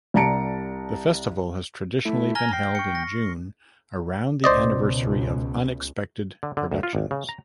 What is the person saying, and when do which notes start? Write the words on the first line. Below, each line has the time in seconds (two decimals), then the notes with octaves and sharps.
The festival has traditionally been held in June, around the anniversary of Unexpected Productions.
0.14 C2 G3 A5 A#5 C#7 D7
2.05 A3 E4
2.35 G#5 A#5 F6 A#6 G7
2.53 G5 C7
2.75 C#6 C#7
2.95 A#6
4.44 C#2 B2 C5 D5 D#5
6.43 D3
6.57 D3
6.71 D2
6.83 F4
6.95 G#1
7.11 C#3
7.29 A#5